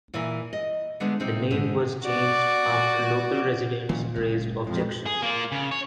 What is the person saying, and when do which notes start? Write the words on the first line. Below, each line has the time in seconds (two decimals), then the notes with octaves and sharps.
The name was changed after local residents raised objections.
0.14 A#2 E3 E4 A#4 G#5
0.53 D#5
1.00 D3 G#3 A3 B3 D4
1.20 C3 C4 D#4
1.51 G#2 D3
2.03 F#4 D5
3.89 A#2 D#3 F3 C#4
4.15 F#1 C#2
4.67 F2 G#3
5.06 G#4
5.22 A#3 F4
5.52 C#3
5.71 C#5